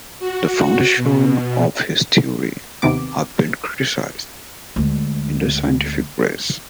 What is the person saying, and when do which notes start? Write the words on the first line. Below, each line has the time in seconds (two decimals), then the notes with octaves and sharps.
The foundations of his theory have been criticised in the scientific press.
0.20 F#4
0.96 B2
2.82 D#2 C3 D#3 B3 D6
4.76 D2 G#3